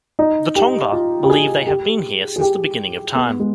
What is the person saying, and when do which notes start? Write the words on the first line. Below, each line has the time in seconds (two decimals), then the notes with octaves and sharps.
The Tongva believe they have been here since the beginning of time.
0.19 D#4
0.56 G4
0.92 F4
1.23 G4
1.30 G#4
1.67 G4
2.36 G#4
2.41 G4
3.15 B3
3.40 G#3